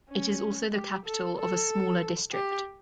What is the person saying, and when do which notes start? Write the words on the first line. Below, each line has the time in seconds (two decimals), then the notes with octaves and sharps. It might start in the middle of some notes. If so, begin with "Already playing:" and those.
It is also the capital of a smaller district.
0.09 C#4
0.73 G4
1.05 A4
1.37 A4
2.33 G4